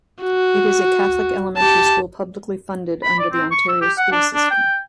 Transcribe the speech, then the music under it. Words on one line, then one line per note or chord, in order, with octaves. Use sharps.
It is a Catholic elementary school publicly funded under the Ontario school system.
F#4
G4 A5
B5
D5
C4
C#6
E6
G4
F#5
D4
D4
G5